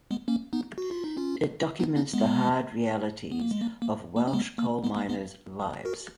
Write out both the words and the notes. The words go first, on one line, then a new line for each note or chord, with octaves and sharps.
It documents the hard realities of Welsh coal miners' lives.
G#3 B3
A#3 C#4
B3 D#4
F#4
F4
D#4
C#4 F4
B3 D#4
B3 D#4
G#3 B3
B3
A#3
G#3
A#3
A#3
A#3
C#4
G#3 B3
A#3
G#3 B3
A#3
G#3 B3
F#4 A#4